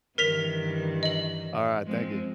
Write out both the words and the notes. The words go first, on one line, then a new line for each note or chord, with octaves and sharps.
Alright, thank you.
G2 D#3 E3 A#4 B6 F7
D#5 F#7
F3 G#3 C4